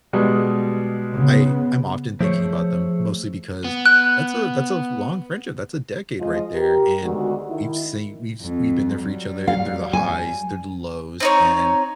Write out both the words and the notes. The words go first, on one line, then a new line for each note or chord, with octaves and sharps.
I I'm often thinking about them mostly because that's a that's a long friendship, that's a decade right there, and we've seen we've s we've been there for each other through the highs, through the lows, and
B2 G3 G#3
C#3 B3
F3 A3 G#4 C5 C#5
B3
F#6
F3 G#3 F4 D#5
G4 A#4
D2 D#3 G#3 B3 F#4
D#3 E4
F2
F#3 G3
F5
G#5
C4 D#4 C#5